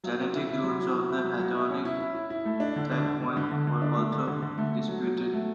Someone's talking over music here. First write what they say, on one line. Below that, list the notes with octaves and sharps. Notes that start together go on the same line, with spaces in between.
Genetic roots of the hedonic set point are also disputed.
F#3
C#4
E4
E4
F#3
F#3
F#3
E4
F#3
F#3
E4
C#4
E4
E4
E4
E4
A3
D4
D3
D4
D3
D3
D3
D3
D3
D4
A3
D3
D3
D3
A3
A3
F#3
F#3
F#3
A3